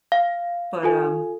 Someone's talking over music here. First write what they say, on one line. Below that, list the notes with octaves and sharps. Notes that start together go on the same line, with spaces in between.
But, um,
F5
F4 A4 G#5